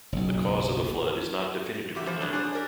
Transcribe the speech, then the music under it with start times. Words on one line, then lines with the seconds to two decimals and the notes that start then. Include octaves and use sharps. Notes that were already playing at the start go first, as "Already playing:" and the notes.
The cause of the flood is not definitively known.
0.12 F#1 B1
1.95 E2 G4 E5
2.07 E3 F3 C5
2.20 G3 D4 C#5 D5
2.33 D4 G#4 C5 C#5
2.53 G4 A#4 D5